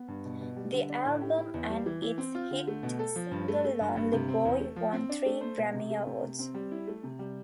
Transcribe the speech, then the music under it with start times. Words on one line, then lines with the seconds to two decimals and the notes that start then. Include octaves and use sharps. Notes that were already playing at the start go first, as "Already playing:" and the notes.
The album and its hit single "Lonely Boy" won three Grammy Awards.
Already playing: B3
0.08 G2
0.25 B2
0.41 B2
0.56 G3
0.73 D3
0.89 D4
1.05 A2
1.21 G4
1.38 E4
1.54 E2
1.69 G3
1.86 E3
2.02 E3
2.18 C4
2.35 F4
2.51 D3
2.67 A3
2.83 B2
2.99 A4
3.16 F3
3.31 G2
3.48 A3
3.64 A3
3.80 G2
3.96 G2
4.13 C3
4.28 C4
4.45 E2
4.60 A3
4.76 F3
4.93 C4
5.09 D4
5.26 A3
5.41 C5
5.58 B2
5.73 C3
5.90 A3
6.07 C3
6.22 C3
6.39 C4
6.54 G3
6.71 E4
6.87 A3
7.03 C3
7.19 G3